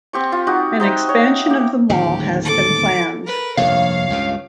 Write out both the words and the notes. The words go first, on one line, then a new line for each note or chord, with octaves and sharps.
An expansion of the mall has been planned.
C4 G4 C#6
F4
D#4 F#4 G4
D#4 C5 D#5 E5
C#5
A#3 G4
D1 D#2 C#3 G4
A4 D6
A#4 B4
F1 A#1 G2 C#5 F5
C#2 G2 C#3